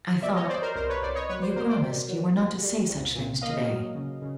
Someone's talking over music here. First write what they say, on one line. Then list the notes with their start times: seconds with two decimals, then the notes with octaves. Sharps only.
"I thought--you promised--you were not to say such things today."
0.22 B2 D5 E5
0.36 C#5 D#5
0.49 G3 C5 D5
0.62 A#4 C5
0.75 C2 A#4 C5
0.90 B4 C#5
1.02 C2 C5 D5
1.15 C#5 D#5
1.30 F#3 B4 C#5
1.42 C5 D5
1.56 B2 A#4 C5
1.69 C5 D5
1.83 B2
2.09 F#3
2.35 C2
2.63 G3
2.89 C2
3.15 A#2
3.42 A#3 D#5 F5
3.69 F#3
3.95 C#3
4.22 C#3